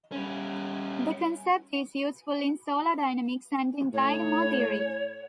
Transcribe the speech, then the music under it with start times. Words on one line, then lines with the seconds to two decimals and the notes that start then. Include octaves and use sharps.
The concept is useful in solar dynamics and in dynamo theory.
0.12 G3 C#4
3.94 A2 C#5